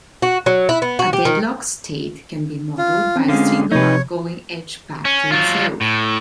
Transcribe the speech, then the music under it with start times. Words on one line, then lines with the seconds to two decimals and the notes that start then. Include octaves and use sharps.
A deadlock state can be modeled by a single outgoing edge back to itself.
0.22 F#4
0.46 F#3
0.69 E4
0.82 B3
0.99 F#4
1.13 G4
1.25 D#3
2.78 F4
3.16 C4 C#4
3.29 D3 G#3 F5
3.72 C3 F3 D#4 B4 C#5
5.05 C#4
5.32 F#3 F4
5.81 A2